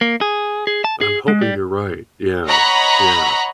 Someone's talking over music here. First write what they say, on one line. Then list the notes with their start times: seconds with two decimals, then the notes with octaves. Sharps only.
I'm hoping you're right, yeah. Yeah,
0.01 A#3
0.21 G#4
0.67 G#4
0.84 A5
1.01 G#4
1.28 G#3
1.41 G3
2.45 C#5 D#5 F#5 A#5 B5 C#6